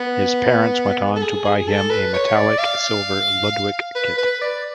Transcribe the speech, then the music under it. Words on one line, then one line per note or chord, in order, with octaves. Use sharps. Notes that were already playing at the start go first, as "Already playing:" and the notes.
His parents went on to buy him a metallic silver Ludwig kit.
Already playing: B3
A4
G#4
G#4
A4
B4
C#5
D5
F5
B4
B4
D5